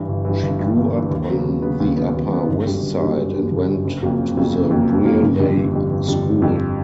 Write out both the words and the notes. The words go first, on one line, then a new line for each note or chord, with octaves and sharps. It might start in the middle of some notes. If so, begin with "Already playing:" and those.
She grew up on the Upper West Side and went to the Brearley School.
Already playing: G2 E3
G1
G2 E3
G1
G2 E3
G1
G2 E3
D#2
C#3 F#3 B3
D#2
C#3 F#3 B3
D#2
C#3 F#3 B3
D#2
C#3 F#3 B3
G1
F#2 D3 G3
G1
F#2 D3 G3
G1
F#2 D3 G3
G1
F#2 D3 G3
F#1
F2 C#3 F#3 A#3
F#1
F2 C#3 F#3 A#3
F#1
F2 C#3 F#3 A#3
F#1
F2 C#3 F#3 A#3
G1
F2 D3 G3
G1
F2 D3 G3
G1
F2 D3 G3
G1
F2 D3 G3